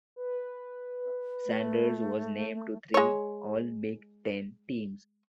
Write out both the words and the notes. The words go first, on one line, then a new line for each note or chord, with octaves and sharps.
Sanders was named to three All-Big Ten teams.
B4
A3
G#3 C#5